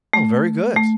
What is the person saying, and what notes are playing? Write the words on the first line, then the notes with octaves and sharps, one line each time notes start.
Oh, very good.
A3
A3